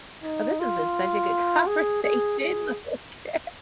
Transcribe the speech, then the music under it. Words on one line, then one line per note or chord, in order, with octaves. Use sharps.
Oh, this has been such a good conversation, like
D#4
F4
G#4
G#4
G#4